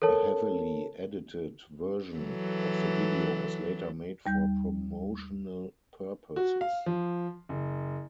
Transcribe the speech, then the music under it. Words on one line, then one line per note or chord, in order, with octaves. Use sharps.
A heavily edited version of the video was later made for promotional purposes.
A4 A#4 C#5 A5
E3 F#3 A4
D#2 G3 G6
F#4
F5
F3
F#1